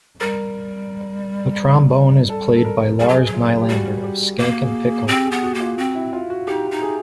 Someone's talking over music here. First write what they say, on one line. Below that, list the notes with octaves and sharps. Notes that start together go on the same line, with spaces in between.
The trombone is played by Lars Nylander of Skankin' Pickle.
G3 A#4
A4
A4
A#4
G3 G#4
F#3
F#3
F4
G4
G3 F#4
G4
A#3 F#4
G#4
G#4
C4 G4
G#4
B3
F#4
A#3
F4
C4 F#4
E4
F4
F#4
D#4 G4
D#4
G#4